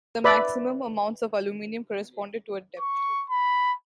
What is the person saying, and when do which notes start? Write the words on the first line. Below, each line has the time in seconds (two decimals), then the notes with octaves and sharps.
The maximum amounts of aluminium correspond to a depth.
0.24 B4 D5 E5 B5
2.80 C#6
3.30 B5